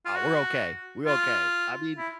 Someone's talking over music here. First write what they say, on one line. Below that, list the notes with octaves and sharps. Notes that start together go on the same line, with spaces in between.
Oh, we're okay. We're okay. I mean
F4
F#4
F4
E4